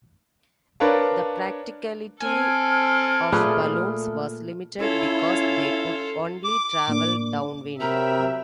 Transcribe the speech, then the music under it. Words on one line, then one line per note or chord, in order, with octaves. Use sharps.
The practicality of balloons was limited because they could only travel downwind.
D4 A#4 B4 C#5 F5 A5
C4 A4 G#5 F6
A#2 A3 G#4 B4
C#4 E4 F4 A4
D6
A2 A#3 D4
C3 F#3 A#4 E5 G5 A#5 B5